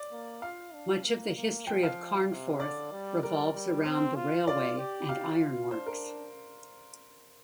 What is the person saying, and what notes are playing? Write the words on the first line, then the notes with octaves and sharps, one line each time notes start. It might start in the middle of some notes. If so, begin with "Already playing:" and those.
Much of the history of Carnforth revolves around the railway and ironworks.
Already playing: D5
A#3
F4 F5
D4
A#3
A#3
F3 G5
F5
C3
D3 D5
G3
G3 A#4
G3
C4 C5
F4
F4 D5
G4
F5
F4
D4 C5
A#4